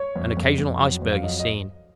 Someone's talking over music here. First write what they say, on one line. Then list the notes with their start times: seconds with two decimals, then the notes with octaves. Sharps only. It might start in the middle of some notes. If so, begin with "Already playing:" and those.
An occasional iceberg is seen.
Already playing: C#5
0.16 F2
0.37 F2
0.58 F2
0.80 F#3
1.02 F2
1.12 F5
1.23 F#3 D#5
1.40 D#5